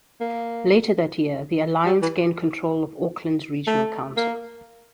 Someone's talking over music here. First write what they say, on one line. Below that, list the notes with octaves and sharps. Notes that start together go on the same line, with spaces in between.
Later that year, the Alliance gained control of Auckland's regional council.
A#3
G3
E3
A3
A#3